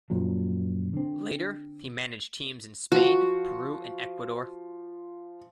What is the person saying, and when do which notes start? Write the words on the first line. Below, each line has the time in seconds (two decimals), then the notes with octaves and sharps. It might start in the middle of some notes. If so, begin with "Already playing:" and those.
Later, he managed teams in Spain, Peru and Ecuador.
0.10 F#2 A#2 F3 F#3
0.93 D3 C4
2.92 F3 F#4